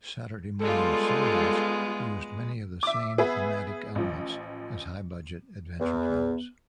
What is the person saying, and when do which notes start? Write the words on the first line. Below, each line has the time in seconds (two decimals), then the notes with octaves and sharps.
Saturday morning serials used many of the same thematic elements as high-budget adventure films.
0.61 G3 G#3 B3 F4 A4
2.83 E5 D6
3.18 B3 G#4 E5 B5
3.95 A1 F3
5.80 E2 B3